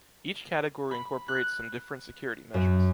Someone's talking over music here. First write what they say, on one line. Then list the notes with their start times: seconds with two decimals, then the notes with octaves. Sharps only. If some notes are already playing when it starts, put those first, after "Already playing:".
Each category incorporates some different security measures.
0.91 B5
1.28 F#6
2.54 F#2